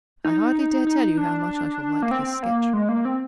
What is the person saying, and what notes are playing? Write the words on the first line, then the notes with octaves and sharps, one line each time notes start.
I hardly dare tell you how much I shall like this sketch.'
D#4
D#4
D4
A#3
C4
A#3
G#3
A#3
C4